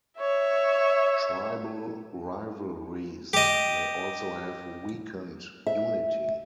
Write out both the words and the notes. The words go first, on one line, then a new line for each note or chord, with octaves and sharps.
Tribal rivalries may also have weakened unity.
C#5 E5
G4 D#5
E5